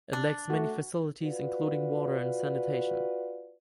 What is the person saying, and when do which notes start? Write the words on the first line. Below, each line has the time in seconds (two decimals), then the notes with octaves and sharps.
It lacks many facilities including water and sanitation.
0.13 D4
0.50 A3 F#4
1.23 F4 F#4 B4 D5